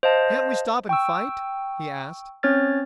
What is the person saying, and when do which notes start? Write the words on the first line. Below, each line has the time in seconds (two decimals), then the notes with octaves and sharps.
"Can't we stop and fight?" he asked.
0.03 C5 D#5 F5 A5
0.89 G5 C#6 E6
2.43 C4 C#4 C#5 F6 A6